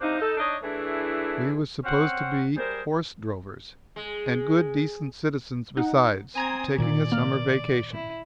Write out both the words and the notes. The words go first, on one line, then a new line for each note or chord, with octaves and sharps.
We was supposed to be horse drovers, and good decent citizens besides, taking a summer vacation.
C3 D4 D#4 C5 F5
D#4 A4
D4 D#4 C#5 D#5
E3 A3 D4 E4 G#4
C4 C#4 F#5
G3 G#4 A#4 C5
G#3
D#4 F#5
C4 G#5 A#5 D#6 G#6
A#2 D#3 D5
A#3 F6
E4